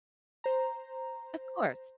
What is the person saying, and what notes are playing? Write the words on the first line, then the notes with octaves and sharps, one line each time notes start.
Of course.
C5 A#5